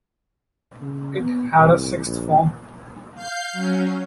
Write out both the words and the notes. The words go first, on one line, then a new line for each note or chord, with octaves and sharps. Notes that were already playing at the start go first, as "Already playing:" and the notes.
It had a sixth form.
C#3
B3
C2
A#1
F5 G6 C7
F#3 C#4